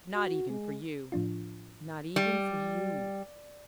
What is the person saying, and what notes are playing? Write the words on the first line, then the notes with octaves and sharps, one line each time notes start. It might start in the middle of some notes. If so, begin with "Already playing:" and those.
Not even for you--not even for you.
F#4
G#3
A2 F3 D4 F4
G3